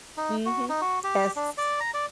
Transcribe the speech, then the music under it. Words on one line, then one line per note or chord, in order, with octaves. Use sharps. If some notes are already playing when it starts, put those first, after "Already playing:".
Mhm. Yes.
D#4
F#4
D#4
F#4
G4
D4
D5
A#5
D5